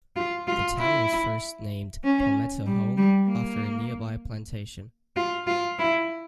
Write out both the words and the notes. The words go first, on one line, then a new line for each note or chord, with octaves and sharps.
The town was first named Palmetto Home, after a nearby plantation.
F4
F4
E4
C#4
G3
G3
A#3
F4
F4
E4